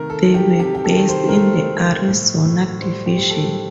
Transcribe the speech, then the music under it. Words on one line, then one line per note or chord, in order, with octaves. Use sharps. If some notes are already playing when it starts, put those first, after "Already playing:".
They were based in the Arizona Division.
Already playing: C3 D#3 A3 A#4
A4
D#3
G4
C3 G4
G4
A4
D#3
C5
A#4
A3 C5
A3
A2
A2
G3 C5
G4
A2
A4